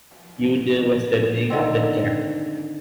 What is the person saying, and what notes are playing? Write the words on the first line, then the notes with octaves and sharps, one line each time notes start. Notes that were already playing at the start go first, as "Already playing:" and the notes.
Yoder was the name of the camp.
D3 D#3 C4